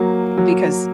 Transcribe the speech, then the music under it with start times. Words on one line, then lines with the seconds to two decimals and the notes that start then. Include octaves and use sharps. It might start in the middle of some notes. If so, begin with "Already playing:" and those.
Mm, because,
Already playing: F#3 A#3
0.38 F#3